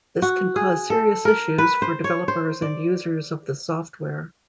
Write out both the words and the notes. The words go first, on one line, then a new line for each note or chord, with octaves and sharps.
This can cause serious issues for developers and users of the software.
F#4
G#4
A4
A#4
B4
C5
C#5
C5
D5